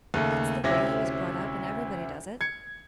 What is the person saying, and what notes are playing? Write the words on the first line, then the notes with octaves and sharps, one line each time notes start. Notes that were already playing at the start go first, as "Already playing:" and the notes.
That's the way he was brought up, and everybody does it.
D#2 C#3 A3
D2 C3 C#4 E4 D6 A#6
G#6 C#7